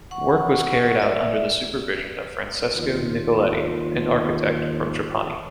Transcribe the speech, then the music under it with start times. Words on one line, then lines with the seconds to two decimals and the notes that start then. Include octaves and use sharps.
Work was carried out under the supervision of Francesco Nicoletti, an architect from Trapani.
0.11 F#5 C#6
1.00 D5 E5
2.75 D#2 F4